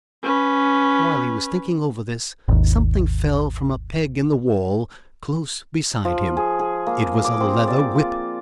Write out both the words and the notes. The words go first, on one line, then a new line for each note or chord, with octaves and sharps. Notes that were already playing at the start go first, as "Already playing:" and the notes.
While he was thinking over this, something fell from a peg in the wall, close beside him; it was a leather whip.
C#4 B4
G#1 D#2
F3
G#4
G#4
A#3
D6
C4
D5
F4